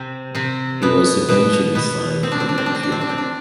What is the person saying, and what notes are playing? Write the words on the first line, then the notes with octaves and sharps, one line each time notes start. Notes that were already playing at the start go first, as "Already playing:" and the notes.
He was eventually signed by the club.
Already playing: C3 C4
C3 C4
B2 B3
B2 B3
B2 B3
C4
D4
C4
D4
C4
D4
C4
D4
C4
D4
C4
D4